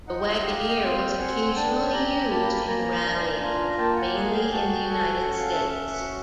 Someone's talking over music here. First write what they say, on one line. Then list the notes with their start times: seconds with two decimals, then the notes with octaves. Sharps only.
The Wagoneer was occasionally used in rallying, mainly in the United States.
0.07 D#4 F#5
0.19 G5
0.30 E5 F#5
0.45 G4 D#5 F5
0.76 F#5
0.81 C4 F5 G5
1.19 C4 F#5 G#5
1.55 D4 G5 A5
1.92 G4 G#5 A#5
2.30 A#3 A5 B5
2.67 A#3 G#5 A#5
3.04 D4
3.41 F4
3.78 A#3 G5 A5
3.96 F#5 G#5
4.15 G#4 F#5 G#5
4.34 F5 G5
4.52 F#4 G5 A5
4.89 A4 F#5 G#5
5.26 C#4 F#5
5.40 F5
5.53 E5 F#5
5.63 C#4
6.00 F#4